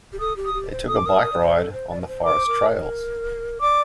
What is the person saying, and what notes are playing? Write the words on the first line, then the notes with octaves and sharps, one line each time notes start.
They took a bike ride on the forest trails.
G4
A4 D#6
G4
D#6
G4
C5
A4 D#6
D6
A#4 D#6
A#4
D5
C5
A4
C5
D5
A#4
C5
A#4 D6
C5
A#4
D5 D6